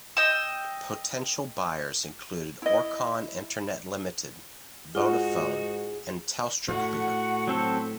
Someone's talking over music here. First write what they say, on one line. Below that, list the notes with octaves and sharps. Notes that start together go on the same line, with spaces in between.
Potential buyers included Orcon Internet Limited, Vodafone and TelstraClear.
D#5 G5 E6
E4 D#5
G#2 D#4 F4 F#4 G#4 F#5
A2 F#4 F#5
F#3 C4 A4